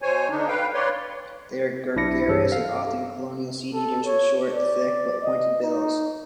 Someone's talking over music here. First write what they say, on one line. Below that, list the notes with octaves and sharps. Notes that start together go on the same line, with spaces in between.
They are gregarious and often colonial seed eaters with short, thick, but pointed bills.
B2 C5 C#5 G#5
D3 D4 D#4
B4 F5 G5
B4 C#5 D5 C6
B1 D4 E4 A#6 C#7
G2 E3 G#4 A4 C#5 E6
A4 F5
A4
C#5
D5
D#5
D#4